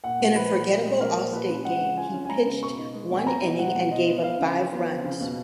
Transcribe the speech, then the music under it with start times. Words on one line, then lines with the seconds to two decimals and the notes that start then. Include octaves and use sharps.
In a forgettable All-Star game, he pitched one inning and gave up five runs.
0.04 A#2 F#5
0.20 G#3
0.36 F3 B4
0.52 A#2
0.68 A#2
0.85 G#3
1.01 F3 A#4
1.17 A#2
1.33 F4 B4
1.49 C#4
1.65 G#3 F#5
1.81 C#3
1.97 F4 G#5
2.14 C#4
2.25 G#5
2.29 G#3 A#5
2.46 C#3
2.62 B2 C#6
2.78 D#4
2.94 G#3
3.11 B2
3.17 G#5
3.27 B2 A#5
3.42 D#4
3.59 G#3 F#5
3.75 B2
3.91 F4 D#5
4.07 B3
4.24 F3 F5
4.40 C#3
4.57 F4
4.72 B3
4.88 F3
5.04 C#3
5.21 B2